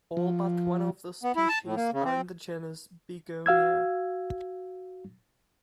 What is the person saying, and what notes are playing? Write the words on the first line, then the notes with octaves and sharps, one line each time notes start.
All but one of the species are in the genus "Begonia".
F3
B3
E4
A5
A2
A#3
C#3
C4
F#4 F5 E6 G#6